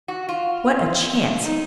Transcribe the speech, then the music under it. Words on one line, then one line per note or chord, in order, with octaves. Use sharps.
What a chance!
F#4
F4
D#4